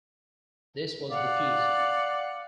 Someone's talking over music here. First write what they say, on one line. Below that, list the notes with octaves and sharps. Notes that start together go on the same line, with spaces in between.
This was refused.
D5 F5 F#5